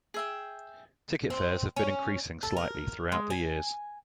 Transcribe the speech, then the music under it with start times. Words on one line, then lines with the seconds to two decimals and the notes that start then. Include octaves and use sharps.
Ticket fares have been increasing slightly throughout the years.
0.14 G#4 E5 G5
1.30 C4
1.76 C#4
2.43 A4
2.57 A#4
3.12 G#3
3.30 G#5